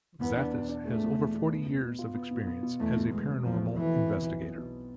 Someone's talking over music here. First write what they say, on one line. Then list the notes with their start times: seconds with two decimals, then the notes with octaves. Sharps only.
Zaffis has over forty years of experience as a paranormal investigator.
0.20 E2 B3
0.37 D4
0.53 B2
0.69 D4
0.85 G#3 A3
1.02 B2
1.17 E2
1.34 B2
1.50 B3
1.66 B2
1.82 B2
1.99 F4
2.15 B3
2.31 B2
2.47 B3
2.63 B2
2.80 E2 A3
2.96 B2
3.11 E2 G#3
3.28 C4
3.44 E2 F3
3.61 A3
3.77 E3 A3
3.92 C4
4.09 B2
4.25 B1
4.42 B3
4.58 B2